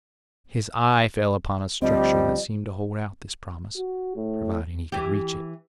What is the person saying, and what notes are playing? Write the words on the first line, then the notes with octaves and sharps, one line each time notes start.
His eye fell upon a structure that seemed to hold out this promise, providing he could reach it.
D2 F3 G3 C4 D#5
F#4
A2
E3 G4